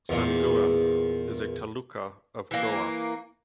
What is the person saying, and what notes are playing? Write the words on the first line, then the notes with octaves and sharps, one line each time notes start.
Sanguem is a taluka of Goa.
E2 A#2
E3 A#3